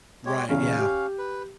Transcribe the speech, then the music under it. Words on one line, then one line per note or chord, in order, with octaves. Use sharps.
Right, yeah.
G#3 G4 C#5
A1 E2 C#3 C#4 F5
G4
B4